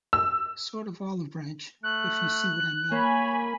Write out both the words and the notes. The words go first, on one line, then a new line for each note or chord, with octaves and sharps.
Sort of olive branch, if you see what I mean.
E6
A3 F#6
A#3 C#5 G#5 B5